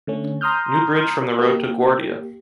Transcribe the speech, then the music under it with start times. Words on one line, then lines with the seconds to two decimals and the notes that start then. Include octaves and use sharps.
New bridge from the road to Guàrdia.
0.07 D3 A3 C#4
0.41 A#5 C6 D#6 F6 G6
1.39 A#3 G4